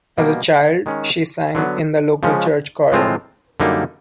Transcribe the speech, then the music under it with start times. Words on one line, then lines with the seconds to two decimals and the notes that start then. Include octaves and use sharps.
As a child, she sang in the local church choir.
0.18 B2 G3 A#3
0.86 D#3 G#3 C#4
1.55 D3 F#3 B3
2.23 C#3 F3 G#3 C#4
2.92 A2 F3 G#3 C4 F4
3.60 F#2 D3 G3 A#3 D#4